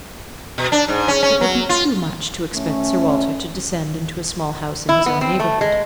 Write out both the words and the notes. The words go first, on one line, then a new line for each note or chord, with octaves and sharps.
It would be too much to expect Sir Walter to descend into a small house in his own neighbourhood.
B2
D4
G#2
C#4
C#4
F#3
F4
A3 C#4
E4
B3
C4
A3
G#3